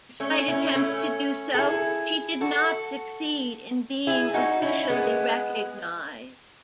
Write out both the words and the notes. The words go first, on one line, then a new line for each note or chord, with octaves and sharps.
Despite attempts to do so, she did not succeed in being officially recognized.
A3 C#4
C#4 E4
A3 C#4
A4
E4 G#4
F#4 A4
E4 G#4
D#4 F#4
C#4 E4
G#3 B3